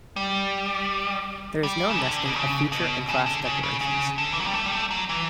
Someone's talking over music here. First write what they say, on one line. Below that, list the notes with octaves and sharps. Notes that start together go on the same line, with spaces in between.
There is no nesting of feature and class declarations.
G3
G3
C#3
D3
B2
C#3
B2
C#3
D3
C#3
C#3
C#3
D3
E3
F#3
G3
A3
G3
A3
F#3
E3